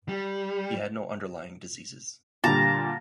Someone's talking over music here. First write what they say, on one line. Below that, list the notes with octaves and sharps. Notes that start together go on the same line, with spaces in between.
He had no underlying diseases.
G3
A#2 D3 G3 A5 A#5